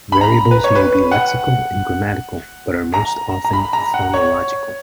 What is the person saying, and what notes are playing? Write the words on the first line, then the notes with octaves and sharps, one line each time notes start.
Variables may be lexical and grammatical, but are most often phonological.
B5
A#5
B4
C#5
B4
F#5
A#5
A#5
B5
A#5
F#5
C#5